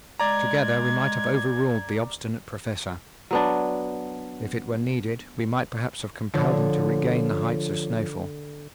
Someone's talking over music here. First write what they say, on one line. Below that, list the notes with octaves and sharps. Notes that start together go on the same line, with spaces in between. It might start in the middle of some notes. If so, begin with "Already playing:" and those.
Together we might have over-ruled the obstinate Professor; if it were needed, we might perhaps have compelled him to regain the heights of Snaefell.
G#3 D5 A#5 G#6
F#3 B3 D4
D3 F3 C#5